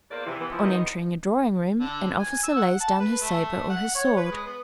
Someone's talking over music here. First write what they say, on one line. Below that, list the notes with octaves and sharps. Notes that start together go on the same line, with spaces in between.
On entering a drawing room, an officer lays down his sabre or his sword.
E2 A#3 C5 D5
C3 E3
E3 B3
F3 E4
D#3 G#3 B3 D#4 D#5
D3
G#5
E6
F#5
A5
B4
A3
F#5
C#5
B4
G#3
B3